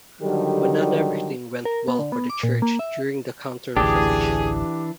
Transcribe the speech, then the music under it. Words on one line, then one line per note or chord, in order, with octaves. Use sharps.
But not everything went well for the Church during the Counter-Reformation.
D3 D#3 F#3 G3 G4 A4
A#4
B3
D3
B3
D6
A#2
A#3
E5
A1 D2 E3 D4 G4 G#4